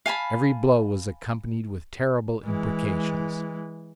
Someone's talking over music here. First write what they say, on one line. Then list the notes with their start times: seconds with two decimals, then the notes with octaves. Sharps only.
Every blow was accompanied with terrible imprecations.
0.06 F5 G#5 A5 B5
2.46 E3 G#3